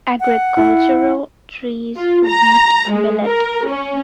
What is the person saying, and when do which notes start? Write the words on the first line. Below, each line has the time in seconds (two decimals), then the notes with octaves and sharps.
Agricultural, trees, wheat, millet.
0.20 F#5
0.57 E4
1.96 F4
2.28 A#5
2.91 G#3
3.25 A#4
3.67 C#4